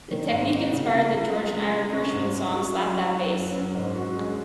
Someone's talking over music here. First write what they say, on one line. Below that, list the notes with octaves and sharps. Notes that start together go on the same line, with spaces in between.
The technique inspired the George and Ira Gershwin song "Slap That Bass".
D#3
G#2
D#4
C#3
C#2
C#2
G#3
G#3
C#2
C#4
G#2
C#4
F#4
F#3
F#4
F#3
F#2
F#2
G#2
F#4
G#3